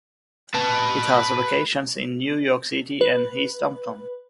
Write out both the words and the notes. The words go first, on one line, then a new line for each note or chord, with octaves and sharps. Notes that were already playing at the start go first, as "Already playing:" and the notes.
It has locations in New York city and East Hampton.
B4 A5
B4